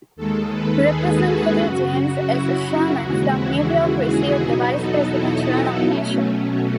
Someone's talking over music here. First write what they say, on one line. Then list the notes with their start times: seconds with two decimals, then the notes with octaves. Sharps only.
Representative James S. Sherman from New York received the vice-presidential nomination.
0.16 D#2 D#3 G#3 A4
0.52 B4
0.87 G#4
1.23 F#4
1.58 F#2 C#3 F#3 F#4
2.28 E4
2.64 F#4
2.99 D#2 C#3 E3 G#3
3.35 E4
3.70 F#4
4.05 G#4
4.41 E2 B2 F#3 B3 D#4 F#4
4.76 A4
5.12 E4
5.82 B2 F#3 A3 C#4